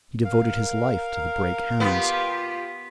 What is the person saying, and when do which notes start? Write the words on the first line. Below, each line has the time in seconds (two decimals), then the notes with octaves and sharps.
He devoted his life to the Brake Hounds.
0.24 A#4 F5
1.80 B3 F4 G4